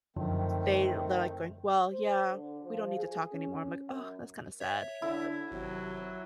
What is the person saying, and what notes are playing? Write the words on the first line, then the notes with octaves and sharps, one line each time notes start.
they're they're, like, going, "Well, yeah, we don't need to talk anymore." I'm like, "Ugh, that's kinda sad.” But
F#2 D3 D#3 F3 A3 C4
C5
D3
F3
G#4
C#4
F#2
C#5 E5
D3 E4
G#1 C3 F#3